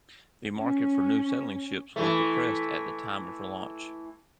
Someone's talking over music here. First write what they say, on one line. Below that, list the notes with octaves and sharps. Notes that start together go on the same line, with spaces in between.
The market for new sailing ships was depressed at the time of her launch.
C#4
E3 A3